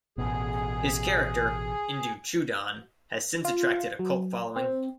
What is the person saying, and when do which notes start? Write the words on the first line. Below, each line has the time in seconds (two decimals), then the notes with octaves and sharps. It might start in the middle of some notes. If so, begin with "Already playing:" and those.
His character Induchoodan has since attracted a cult following.
0.18 A1 B2 G#4
3.45 F4
3.99 F#3
4.56 C4